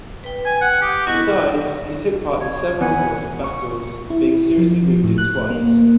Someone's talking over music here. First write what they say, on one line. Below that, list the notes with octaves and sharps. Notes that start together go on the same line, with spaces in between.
Besides, he took part in several important battles, being seriously wounded twice.
B4 G5
G#5
F#5
G4 D#6
B3 E4 F#4 D#5
C#5
E2 B4 F#5 G#5
C#6
E4
F3
A2
F#6
A#3